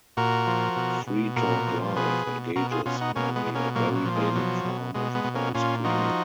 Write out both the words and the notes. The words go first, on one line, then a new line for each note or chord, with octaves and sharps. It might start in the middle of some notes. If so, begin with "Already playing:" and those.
"Free Talk Live" engages in only a very basic form of call screening.
A#2 F#4 A#4
F3
B2
B2
A#2 F#4 A#4
F3
B2 G#4 B4
B2
B2 F#4 A#4
F4 G#4
B2 C#4 F4
D#4 F#4
B2 A#3 C#4
G#3 B3
B2
A#3 C#4
A#2 F#3 A#3
F#3
F3
G#3
B2 F#3
B2
B2 G#3
G#3 B3
B2
A#3 C#4
A#2 C#4 F4
F3 D#4 F#4